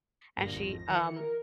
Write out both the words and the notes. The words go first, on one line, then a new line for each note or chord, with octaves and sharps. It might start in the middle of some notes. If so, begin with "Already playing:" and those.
and she, um,
G2 A#2 D3 A#6
G#1 F2
D#3 E3 C#7
A#4